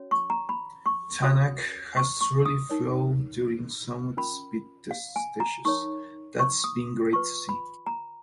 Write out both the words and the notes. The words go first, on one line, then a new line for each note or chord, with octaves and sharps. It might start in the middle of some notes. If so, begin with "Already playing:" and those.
Tänak has truly flown during some of the speed test stages, that’s been great to see.
Already playing: C#4 F#4 C#5
C#6
A#5
B5
C#6
C#4 F#4 C#5 D#6
C#6
C#6
D#6
D#4 A#4 C#5
C#4 F4 A#4 B5
F5
G#5
A#5
D#4 A#4 C#5 C#6
C#6
D#6
F4 B4 C#6
B5
A#5